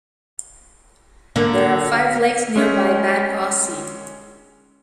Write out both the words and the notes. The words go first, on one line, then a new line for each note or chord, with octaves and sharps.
There are five lakes nearby Bad Aussee.
D3 A#3
G#3 C#4